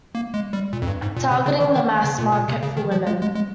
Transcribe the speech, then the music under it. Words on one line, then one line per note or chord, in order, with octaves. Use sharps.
Targeting the mass market for women.
A#3
G#3
G3
A#2
F2
G2
G#2
A#2
C3
C#3
D#3
D#3
C#3
A#2
A#2
C3
C#3
D#3
F3
G#3
G#3
G#3